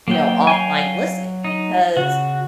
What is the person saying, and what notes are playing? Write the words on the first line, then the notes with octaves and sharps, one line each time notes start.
you know, offline listening because
F#3 A#3 B3 G5
F5 G5 G#5
D#4
C#3 F#4